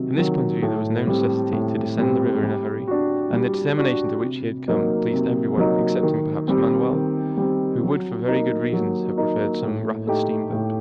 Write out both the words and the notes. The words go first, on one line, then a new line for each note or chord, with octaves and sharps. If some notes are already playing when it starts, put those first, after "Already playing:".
From this point of view there was no necessity to descend the river in a hurry. And the determination to which he had come pleased every one, excepting, perhaps, Manoel, who would for very good reasons have preferred some rapid steamboat.
Already playing: C3 D#3 F#3
D#3 F#3
A2
G3 C4
A2
G3 C4
G3
D4 F#4
G3
D4 F#4
C3
F#3 A#3 D#4
C3
F#3 A#3 D#4
D#3
G3 C4
D#3
G3 C4
F#3
A#3 D#4
F#3
A#3 D#4
A2
A3 D#4 G4
A2